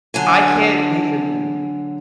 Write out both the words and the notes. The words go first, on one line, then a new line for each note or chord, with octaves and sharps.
I can't even
D3 F#3 G#5